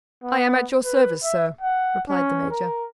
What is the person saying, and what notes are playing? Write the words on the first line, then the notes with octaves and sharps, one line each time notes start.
"I am at your service, sir," replied the major.
B3
B4
E5
F#5
C#4
A#4